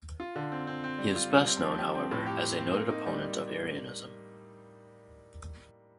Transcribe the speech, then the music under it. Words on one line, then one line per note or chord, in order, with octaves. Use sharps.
He is best known, however, as a noted opponent of Arianism.
F4
D3
C4
C4
C4
G3
F4
G3
C4
F3
G4
C4
A2
G4
C4
C4
A#3
D#4
G3